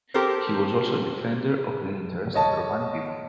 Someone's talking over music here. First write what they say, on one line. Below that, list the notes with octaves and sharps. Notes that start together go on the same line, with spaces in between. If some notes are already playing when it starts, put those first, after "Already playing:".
He was also a defender of the interests of the Romani people.
C4 G4 A4 A#4 C5
C#5 D#5 A5